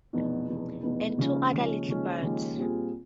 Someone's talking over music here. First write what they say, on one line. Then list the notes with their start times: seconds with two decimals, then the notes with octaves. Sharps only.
And two other little beds.
0.13 F1 E2 B2
0.48 F1 E2 B2
0.83 F1 E2 B2
1.17 D#2 C#3 F3 G#3 C#4
1.53 D#2 C#3 F3 G#3 C#4
1.87 D#2 C#3 F3 G#3 C#4
2.22 D#2 C#3 F3 G#3 C#4
2.57 A#2 G3 C4 F4 G#4